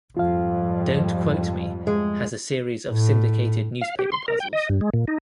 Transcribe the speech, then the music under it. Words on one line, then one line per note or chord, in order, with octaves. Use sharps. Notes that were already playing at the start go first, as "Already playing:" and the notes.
Don't Quote Me has a series of syndicated newspaper puzzles.
F2 G#2 G3 F4 F5
G#3
A2
F5
G4
C6
A#4
G5
D#5
G2
G#3
A#2
D#4